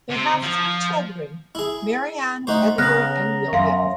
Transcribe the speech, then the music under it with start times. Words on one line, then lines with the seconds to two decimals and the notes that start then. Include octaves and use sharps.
They have three children: Marianne, Edward and William.
0.10 C3
0.42 F3
1.55 E4 G#4
2.47 A3 D#4 F#4 C5
2.78 C#3 B3 B4 A#5 F6 F#6
3.53 F#2 E5 F5 C6